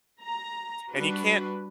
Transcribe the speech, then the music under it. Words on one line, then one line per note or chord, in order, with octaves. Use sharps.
And you can't
A#5
G3 D4 F#4 B4